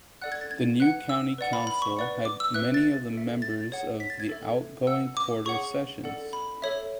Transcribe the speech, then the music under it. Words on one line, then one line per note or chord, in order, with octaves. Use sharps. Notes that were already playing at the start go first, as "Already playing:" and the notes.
The new county council had many of the members of the outgoing quarter sessions.
A4 D5 F#5 F#6
G#6
A6
G#6
B4 F#5 F#6
E6
B4 D5 F#5
B5
B5
C#6
B4 D5 F#5
D6
E6
B4 E5 F#6
A6
A4 E5
A6
G#4 C#5 F#5
B6
A6
G#6
A4 E5
B4 F#5 E6
D6
G#4 C#5 F#5 C#6
A4 D5 F#5
B5
A4 C#5 E5